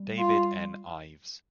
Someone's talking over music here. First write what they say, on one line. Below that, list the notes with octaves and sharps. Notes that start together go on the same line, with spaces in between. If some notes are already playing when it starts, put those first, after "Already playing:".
David N. Ives.
Already playing: G3
F4